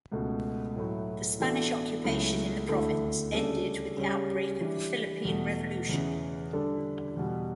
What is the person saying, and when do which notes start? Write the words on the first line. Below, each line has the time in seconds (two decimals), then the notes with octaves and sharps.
The Spanish occupation in the province ended with the outbreak of the Philippine Revolution.
0.12 C#2 B2 A3
0.76 A2 F#3 A3 E4
1.40 E3 B3 D4 F#4 A4
2.04 C#2 C#3 F#3 A3 E4
2.69 D2 D3 A3 E4 A4
3.33 C#3 G3 D4 A4
3.97 C#3 G3 C#4 G4
4.61 E3 G3 D4 G4
5.25 E2 B2 A3
5.89 E2 C#3 E3
6.53 D3 G3 D4 A4
7.17 E2 B2 G3